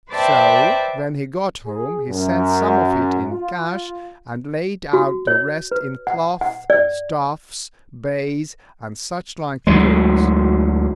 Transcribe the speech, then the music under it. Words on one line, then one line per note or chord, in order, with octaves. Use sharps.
So when he got home he sent some of it in cash, and laid out the rest in cloth, stuffs, baize, and such like goods.
B4 C5 D5 E5 G5 A5
G#4
F#2
F4
F#4
C#5
B4
F#5
F#5
D5
D2 F#3 G#3